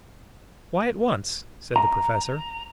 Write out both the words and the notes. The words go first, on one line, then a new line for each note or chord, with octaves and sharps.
"Why at once?" said the Professor.
A#5